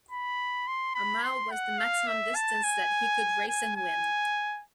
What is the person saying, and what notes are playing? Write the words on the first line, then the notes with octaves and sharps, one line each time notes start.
A mile was the maximum distance that he could race and win.
B5
C6
B5
C6
F#5
F5
E5
A5
G#5
G#5
G#5